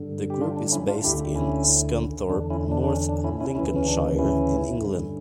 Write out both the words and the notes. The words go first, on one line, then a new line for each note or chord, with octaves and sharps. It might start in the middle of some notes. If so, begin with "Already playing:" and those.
The group is based in Scunthorpe, North Lincolnshire in England.
Already playing: G2 D3
G4
D4 F4
D4
C#4 E4
D4 F4
D2 D3 E4 G4
C#4 E4
E2 D3 D4
C#4 E4
D4
D4
C#4
D4
C#4 E4
C#4 E4
D2 C#3 E3 C#4 E4
C#4
D4
C#4 E4
G2 D3